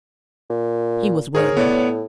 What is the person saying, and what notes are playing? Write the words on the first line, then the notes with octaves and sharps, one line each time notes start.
He was wermin!
A#2
G#2 G#4 A#4 C#5
A2 B3 C#5 D5